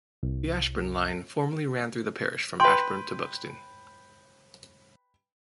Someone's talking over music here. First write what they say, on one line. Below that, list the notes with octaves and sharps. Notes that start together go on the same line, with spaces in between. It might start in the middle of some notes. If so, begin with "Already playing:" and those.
The Ashbourne line formerly ran through the parish from Ashbourne to Buxton.
C2
B4 G5 C6